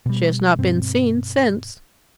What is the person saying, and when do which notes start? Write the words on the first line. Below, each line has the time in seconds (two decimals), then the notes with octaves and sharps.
She has not been seen since.
0.06 B2 G3
0.59 G2 B2 C4